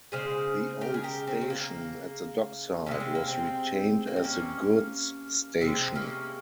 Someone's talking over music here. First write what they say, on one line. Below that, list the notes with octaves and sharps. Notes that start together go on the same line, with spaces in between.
The old station at the dockside was retained as the goods station.
C#3 G#3 G#4 C5
G4 A#4
G#4
G4 A#4
C4
C4
A#3
C3 F3 G#3 C#4
C4
A#3
C4
A#3
C4
A#3 C#4
C3 F3 G#3 C4 D#4
A#3 C#4